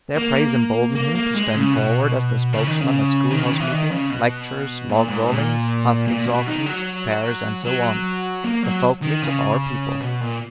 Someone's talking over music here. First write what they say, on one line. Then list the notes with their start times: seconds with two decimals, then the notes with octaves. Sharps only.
Their praise emboldened him to stand forward as the spokesman at schoolhouse meetings, lectures, log-rollings, huskings auctions, fairs, and so on--the folk-meets of our people.
0.17 A#3
0.95 A#3
1.15 A#3
1.35 G#3
1.55 C#3
1.74 B2
2.53 C#3
2.67 D#3
2.81 C#3
3.31 D#3
3.42 C#3
3.52 D#3
3.61 E3
3.72 D#3
3.91 C#3
4.10 B2
4.89 A#2
5.09 G#2
5.28 A#2
6.08 A#2
6.26 B2
6.47 D#3
6.66 F#3
7.65 F#3
8.44 A#3
8.63 F#3
9.02 D#3
9.22 C#3
10.01 B2
10.20 A#2